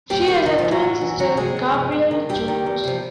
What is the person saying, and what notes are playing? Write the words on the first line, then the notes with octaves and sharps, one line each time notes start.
She has a twin sister, Gabrielle Jones.
D#2 G3 G4
D#3 G3 G4
A2 D#3 D#4
F3 F4
E3
F#3 F#4
A2
E3
D2 F#3 F#4
C3 F3 G#3 G#4
D2
C3 F3
G2
D#3
G2 G3 G4
D#3
E2
C3 F3